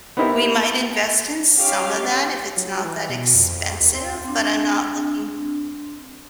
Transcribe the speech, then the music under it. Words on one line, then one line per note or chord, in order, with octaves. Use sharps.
We might invest in some of that if it's not that expensive, but I'm not looking
B3 C4 D#4 E4 G4 A#4
C#4 G4 F5
F#3
E3
B2
F2
D#2
C4
C4 D4